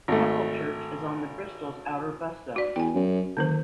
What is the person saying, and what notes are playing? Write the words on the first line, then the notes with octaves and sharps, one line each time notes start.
Pucklechurch is on the Bristol's outer bus zone.
G#1 A3
F#4 D5
E2 G5 G#5
F#2
F#1 D3 D#3 C5